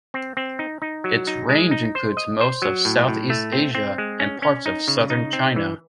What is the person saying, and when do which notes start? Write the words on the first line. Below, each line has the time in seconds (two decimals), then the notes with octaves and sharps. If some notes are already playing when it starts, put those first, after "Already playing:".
Its range includes most of Southeast Asia and parts of southern China.
0.14 C4
0.37 C4
0.59 D#4
0.82 D#4
1.04 F#3
1.27 D#4
1.49 G#3
1.71 D#4
1.95 C5
2.17 D#5
2.40 C5
2.62 F#3
2.85 A2
3.08 A2
3.30 A3
3.52 C4
3.75 C4
3.98 G#3
4.20 C#4
4.42 C#4
4.66 D#4
4.88 C#3
5.10 D#4
5.33 C4
5.56 E3